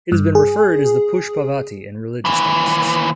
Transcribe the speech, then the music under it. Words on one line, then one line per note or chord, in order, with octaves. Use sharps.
It has been referred as the Pushpavati in religious texts.
G2
G#4
D#2 E3